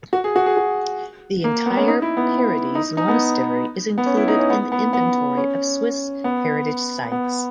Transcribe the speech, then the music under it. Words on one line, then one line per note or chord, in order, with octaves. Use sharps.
The entire "Paradies" monastery is included in the Inventory of Swiss Heritage Sites.
F#4
G#4
F#4
G#4
F#4
A#3
B3
C#4
D#4
E4
B3
D#4
D#4
B3
B3
C#4
E4
D#4
C#4
B3
B3
B3
C#4
B3
B3